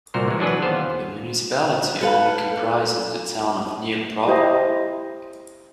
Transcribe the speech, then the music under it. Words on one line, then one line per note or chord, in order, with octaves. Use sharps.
The municipality only comprises the town of Niel proper.
C2 A#2 F#4 A#4 C5
E3 G#3
E3 F#3 D4 G#4 B4
D#2 B3 C5 F5
A4 B4 F5
E4 G4 C5 D#5